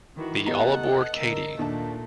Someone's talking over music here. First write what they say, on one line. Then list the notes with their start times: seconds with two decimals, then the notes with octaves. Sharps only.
The All Aboard Katy!
0.17 D#3 E3 F#4
0.47 B3 G4 A4 D#5 F#5 A#5
0.84 D#5
1.16 D3 A#4 E6
1.59 D#2 A#2 A3 D4 A5